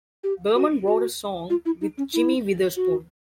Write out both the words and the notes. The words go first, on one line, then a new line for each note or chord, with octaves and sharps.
Berman wrote a song with Jimmy Witherspoon.
G4
F#4
F#4
F4
E4
D#4
C#4
E4
F#4